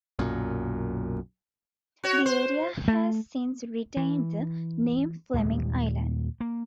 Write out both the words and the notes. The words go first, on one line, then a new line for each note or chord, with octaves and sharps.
The area has since retained the name Fleming Island.
B1 F#2 A#2
F#4 C#5
C5
A3
E3
D#2 A#2 G3 G#3
A#3